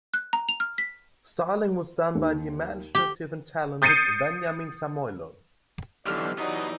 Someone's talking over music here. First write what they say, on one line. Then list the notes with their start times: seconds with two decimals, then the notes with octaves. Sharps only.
Styling was done by "the imaginative and talented Veniamin Samoilov".
0.14 F#6
0.33 A#5
0.49 F7
0.60 F6
0.78 B6
2.15 D#2
2.95 G4
3.82 D#6 G6 A6 C7 C#7 D#7
6.06 B1 D3 E3 G4 D5 E6 F6
6.38 E3 F#3 B3 D#4 D5 D#5